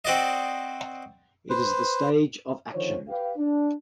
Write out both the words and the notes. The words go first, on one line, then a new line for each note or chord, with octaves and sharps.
It is the stage of action.
C4 F#4 D5 D#5
B4 C5
D3 D#3 F3 C5 C#5
G4 B4 F5
D4